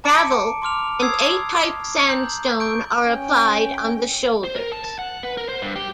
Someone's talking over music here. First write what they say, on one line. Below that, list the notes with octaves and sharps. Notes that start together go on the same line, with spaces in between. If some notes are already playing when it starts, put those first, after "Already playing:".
Gravel and A-type sandstone are applied on the shoulders.
A5 A#5 D6 C#7 D7
C6 D6 F6 F7
D#6 E6 G#6 C7
A#5 G6 F#7
C#6 G6 D7
C#4 G5
C5
A#4
A5
A5
F#5
B4
A#4
C5
G2
G4